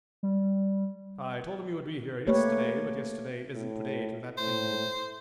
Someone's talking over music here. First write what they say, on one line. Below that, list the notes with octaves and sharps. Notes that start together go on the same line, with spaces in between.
I told him you would be here yesterday, but yesterday isn't to-day to that Indian.
G3
A3 A#3 G4 B4 C#5
A2
A2 C5